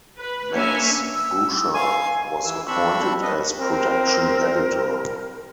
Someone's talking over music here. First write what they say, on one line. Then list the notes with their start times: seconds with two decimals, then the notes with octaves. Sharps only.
Max Boucher was appointed as Production Editor.
0.18 B4
0.52 A#3 C#4 D4 C#5 E5 G#5
1.14 E6
1.74 F5 G#5
2.45 E3 E6
2.68 C4 D4 B5 C#6 E6
3.22 G3 B4 D#5
3.59 C4 A#4